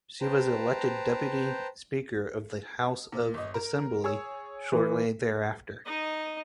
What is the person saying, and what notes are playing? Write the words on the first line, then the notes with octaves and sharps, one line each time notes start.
She was elected deputy speaker of the House of Assembly shortly thereafter.
B4 C5 G5 A5 A#5
A#2
G1 D#5
A#4
G#4 C#5 E6
E3
D#4 D#5